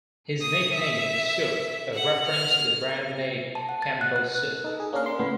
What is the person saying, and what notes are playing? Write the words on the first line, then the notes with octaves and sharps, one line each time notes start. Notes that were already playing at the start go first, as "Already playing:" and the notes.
His nickname is "Soup", a reference to the brand name Campbell's Soup.
D#6
E5
F#5
F6
A5
F#5
A6
F#6
F#6
D#4 A4
G#4
A#3 C#4 D4 A#4 F5
C6
A2 C#3 B3